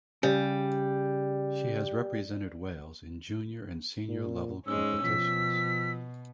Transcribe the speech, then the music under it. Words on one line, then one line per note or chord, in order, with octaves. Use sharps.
She has represented Wales in junior and senior level competitions.
C#3 G3
A#2
G#2 G#3 C#4 E6
B2 F3 B6